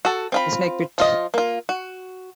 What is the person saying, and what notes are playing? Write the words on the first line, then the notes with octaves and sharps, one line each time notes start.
"The Snake Pit".
F#4 A4
C4 F4 B5
F3 F4 D#5
A#3 F4
F#4